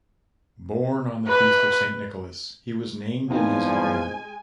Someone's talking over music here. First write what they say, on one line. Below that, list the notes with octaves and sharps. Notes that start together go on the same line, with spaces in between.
Born on the feast of Saint Nicholas, he was named in his honour.
B4
E2 A#2 F3 G#3 C4 D#4 G#5